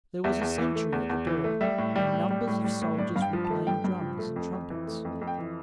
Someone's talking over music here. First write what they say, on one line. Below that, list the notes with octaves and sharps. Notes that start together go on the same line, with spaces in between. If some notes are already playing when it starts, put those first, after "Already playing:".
There was a sentry at the door, and numbers of soldiers were playing drums and trumpets.
E2 E5
E2
E3
A3
E2
E2
E3
A3
G3 E5
A2
G3
A2
G3
A2
G3
A2
G2 D5
G2 F5
G5
F3
A5
A3
G2 G5
G2
F3
A3
F2
F2
E3
A3
F2
F2
G5
E3